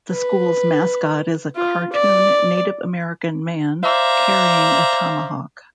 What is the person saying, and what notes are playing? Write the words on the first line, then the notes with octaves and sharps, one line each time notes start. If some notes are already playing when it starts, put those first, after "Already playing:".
The school's mascot is a cartoon Native American man carrying a tomahawk.
B4
F4
D5
C5 D5 E5 F5 A#5